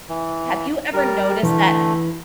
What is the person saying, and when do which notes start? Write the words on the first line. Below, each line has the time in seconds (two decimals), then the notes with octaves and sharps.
have you ever noticed that
0.09 E3
0.93 G3 A#4
1.43 D3 E3 A3